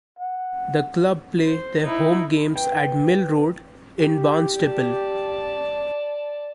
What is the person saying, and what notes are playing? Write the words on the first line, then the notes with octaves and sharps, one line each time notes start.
The club play their home games at Mill Road in Barnstaple.
F#5
C5
D#4 E4
B4 G5
G4
D5 A5